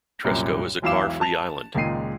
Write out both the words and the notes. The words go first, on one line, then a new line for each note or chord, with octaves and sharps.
Tresco is a car-free island.
C2 F#2 A#2
E1 B1 E4 F5 D6 E7
A5 F7
C#2 A#2 D#3 G#3 C7 D#7